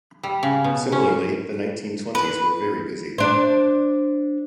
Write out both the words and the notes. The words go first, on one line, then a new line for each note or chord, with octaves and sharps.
Similarly, the nineteen twenties were very busy.
G3
C#3
B2
C#4
B4
D4 C5